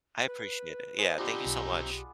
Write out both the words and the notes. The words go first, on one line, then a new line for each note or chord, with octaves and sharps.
I appreciate it. Yeah. Thank you so much.
B4
G#4 C5 D#5
B3 C4 D4 D#4 F4 G4
B1